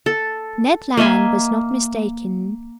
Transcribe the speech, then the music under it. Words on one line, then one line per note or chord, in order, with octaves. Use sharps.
Ned Land was not mistaken.
A4
A#3 D#5 E5 G#5